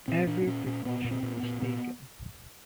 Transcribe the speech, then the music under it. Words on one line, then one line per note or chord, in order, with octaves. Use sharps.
Every precaution was taken.
A#2 C4
A#2 D4
D4
A#2 C#4
A#2 C#4
A#2 B3
A#2
C4
A#2
B3
A#2
A#2 B3